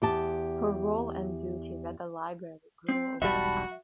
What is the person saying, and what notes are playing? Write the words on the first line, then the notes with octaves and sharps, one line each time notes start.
Her role and duties at the Library grew over time.
E2 G4 A5
C4
E1 B1 G3 F#4 E5 A5 B5